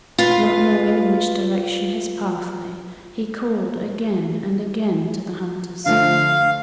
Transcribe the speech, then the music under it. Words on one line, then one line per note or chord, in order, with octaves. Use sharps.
Not knowing in which direction his path lay, he called again and again to the hunters.
F4 B4 F5
D3 F3 A3 F5